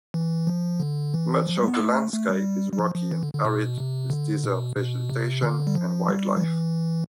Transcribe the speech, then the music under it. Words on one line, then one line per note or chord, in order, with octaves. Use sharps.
Much of the landscape is rocky and arid with desert vegetation and wildlife.
E3
F3
D3
E3
F3
G3
A3
B3
A3
A3
G3
G3
F3
F3
E3
D3
D3
B2
C3
D3
B2
B2
C3
D3
G3
F3
G3
F3
E3